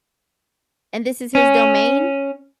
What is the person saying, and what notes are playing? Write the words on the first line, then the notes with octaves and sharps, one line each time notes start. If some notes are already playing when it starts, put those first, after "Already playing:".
and this is his domain?
C#4